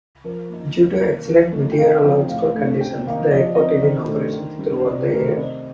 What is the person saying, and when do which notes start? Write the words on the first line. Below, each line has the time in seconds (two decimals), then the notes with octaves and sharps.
Due to excellent meteorological conditions, the airport is in operation throughout the year.
0.24 F3 A#4
0.50 A#3 D#4
0.75 C3
1.01 D#3 A#3
1.26 F3
1.52 A3 D#4
1.72 G5
1.78 C3 F5
2.03 F3 C4 D#4 G5
2.29 A2 F5
2.55 A3 D4
2.80 C3 G5
3.06 D#3 A#3 D#4 F5
3.31 F3 D#5
3.43 D5
3.55 C4 D#4 D#5
3.74 D5
3.82 D#3 C5
4.07 A3 D4
4.33 D#3
4.59 G3 D4
4.79 C5
4.84 C3 D5
5.10 D#3 A3 A#4
5.21 C5
5.28 D5
5.35 C3 D#5